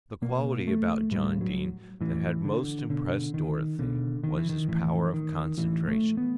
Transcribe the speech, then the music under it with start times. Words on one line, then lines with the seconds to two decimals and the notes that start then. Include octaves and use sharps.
The quality about John Dene that had most impressed Dorothy was his power of concentration.
0.22 B2 A#3
0.67 A3
1.11 A2 G3
1.41 F#3
2.01 A2 E3
2.45 D3
2.89 B2 D3
3.34 D#3
3.79 B2 D3
4.24 D#3
4.37 E3
4.49 D#3
4.68 A2 E3
5.14 D#3
5.58 A2 E3
5.88 A3
6.17 B3